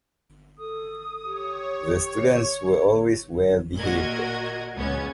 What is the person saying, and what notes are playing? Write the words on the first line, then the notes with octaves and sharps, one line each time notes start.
The students were always well behaved.
A4 D#6
G4 C#5
A#2 F#4 A#4 D#5 G#6
C#2 B3 C#4 G#6